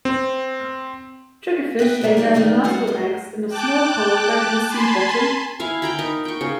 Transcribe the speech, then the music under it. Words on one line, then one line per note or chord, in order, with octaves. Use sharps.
Triggerfish lay their demersal eggs in a small hole dug in the sea bottom.
C4
B3 B4 E5 G5
D2 G2 G3 G#3 A#3 A#4
G3 A#3 D#4 D5
G#2 D#3 F3 A3 D4 D#4
G3 F4 F#4 A#4 F#5
G#2 F4
G5 A5 D6 F#6
G#5 A5 B5 C6
E4 F5 G#5
F5 G5 A#5 B5
D#4 A#4 D#5
G5 C#6
C#3